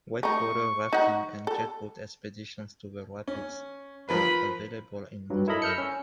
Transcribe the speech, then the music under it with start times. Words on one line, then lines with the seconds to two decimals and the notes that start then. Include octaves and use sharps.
Whitewater rafting and jet boat expeditions to the rapids are available in Montreal.
0.23 A3 D#4 C#6
0.93 D#4 F#5
1.47 A4
3.28 C#4
4.09 F3 A#4 B4 B5
5.30 G2 F#3
5.48 E4 A4 A#4 D#5 B5
5.62 E6 F6 G6 C#7
5.78 C#4